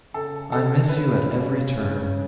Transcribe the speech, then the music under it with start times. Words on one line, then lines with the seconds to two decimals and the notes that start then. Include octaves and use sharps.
'I miss you at every turn.
0.14 C#3 A4
0.52 A4
0.89 B4
1.64 C#3